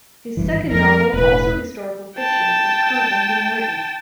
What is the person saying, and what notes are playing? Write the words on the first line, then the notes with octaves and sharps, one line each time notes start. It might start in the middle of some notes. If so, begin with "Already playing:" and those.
His second novel, also historical fiction, is currently being written.
G#1 G2 E3
F2 A#4
E1 A2 B4
G5 A5